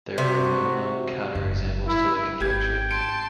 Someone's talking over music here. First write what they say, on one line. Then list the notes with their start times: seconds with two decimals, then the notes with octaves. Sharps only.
There are no known counterexamples to the conjecture.
0.18 C3 F#4
1.35 F#1 G#2
1.87 E4
2.40 G#1 G4 G5 G#6
2.91 A5 C6 D7